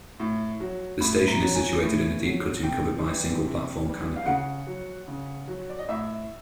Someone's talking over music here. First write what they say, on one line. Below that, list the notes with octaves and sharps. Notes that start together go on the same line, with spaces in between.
The station is situated in a deep cutting covered by a single platform canopy.
A2
F#3
A2 B5
A#5
F#3
G#5
A2
F#3
C3 G5
E3 G3
C3
E3 G3
F5
C#3 F#5
F#3
C#3
F#3
D5
D#5
A2 E5